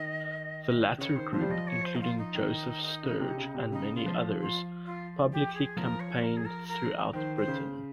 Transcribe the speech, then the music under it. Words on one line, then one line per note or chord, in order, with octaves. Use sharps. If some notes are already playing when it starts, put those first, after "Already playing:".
The latter group, including Joseph Sturge and many others, publicly campaigned throughout Britain.
Already playing: D#3 D#5
C#3 C#5
D#3 C5
F3 C5
G3
F3 D#5
C#5
C5
D#4
F4
D#4
D#3
C#3
C3
C#3
C3
C#3 D#4
F4
F3
F4
F4
G4
G#4
F3 A#4
C#5
A#4
G#4
A#4
A#4
D#3 C5
C5
C#3